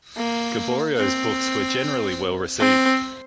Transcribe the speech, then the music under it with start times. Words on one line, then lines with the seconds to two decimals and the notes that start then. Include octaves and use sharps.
Gaboriau's books were generally well received.
0.17 A#3
0.98 C4
2.60 C4